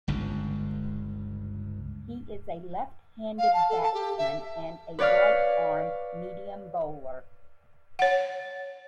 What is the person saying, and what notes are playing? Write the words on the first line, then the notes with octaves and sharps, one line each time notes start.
He is a left-handed batsman and a right-arm medium bowler.
G1 C#2 G2
F5
A5
A4
A5
G4
E5
B4 C#5 D5 F5 F6
C#5 F#5